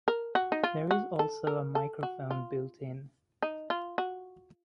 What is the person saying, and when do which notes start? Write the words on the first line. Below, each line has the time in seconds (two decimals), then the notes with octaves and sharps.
There is also a microphone built in.
0.08 A#4
0.35 F#4
0.52 D#4
0.63 F4
0.91 F#4
1.19 A4
1.47 A#4
1.75 A4
2.03 F#4
2.31 F4
3.42 D#4
3.70 F4
3.98 F#4